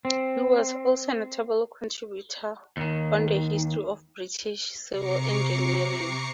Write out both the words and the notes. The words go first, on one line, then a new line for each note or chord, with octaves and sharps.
He was also a notable contributor on the history of British civil engineering.
C4
D#2 D#3
C3 A#5 C#6 D6 C7 C#7